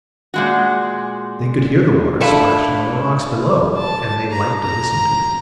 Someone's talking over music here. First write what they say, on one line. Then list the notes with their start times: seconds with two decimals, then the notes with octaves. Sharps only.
They could hear the water splashing on the rocks below, and they liked to listen to it.
0.34 A#2 G#3 F#4
2.21 F3 A3 D4 E4 F5 B5
3.77 A5
4.31 A#5
4.63 A#5